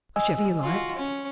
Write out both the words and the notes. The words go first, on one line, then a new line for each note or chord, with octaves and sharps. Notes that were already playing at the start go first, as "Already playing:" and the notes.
"Whichever you like."
D#5 G#5 E6
F4 F#4
C#4